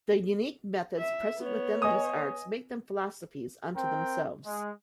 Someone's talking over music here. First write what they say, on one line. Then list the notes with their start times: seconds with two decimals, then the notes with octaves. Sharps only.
The unique methods present within these arts make them philosophies unto themselves.
0.99 E5
1.39 B3 C#5
1.82 D#5 G#5 D#6
3.75 C4 A#4 G5
4.45 G#3